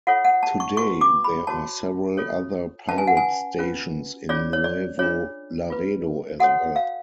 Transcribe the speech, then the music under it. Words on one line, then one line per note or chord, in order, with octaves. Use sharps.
Today, there are several other pirate stations in Nuevo Laredo as well.
F4 A4 C#5 F#5
F#5
A5
C#6
F#4 B4 C#6
D6
B5
F#4 C#5 A5
F4 A4 C#5
C#4 F4 B4 A5
G#5
F#5
G#5
C#4 F4 B4
C#4 F4 G#4 C#5 D5
C#5
D5
D4 F4 G#4 C#5
F4 B4
F#4 A4 C#5 F#5
F5